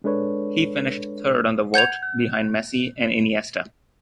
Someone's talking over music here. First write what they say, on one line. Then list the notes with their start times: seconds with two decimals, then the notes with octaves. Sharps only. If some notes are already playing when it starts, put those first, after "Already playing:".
He finished third on the vote, behind Messi and Iniesta.
0.04 G#3 D4 A4 B4 C#5
1.74 F#5 G6 G#6 F7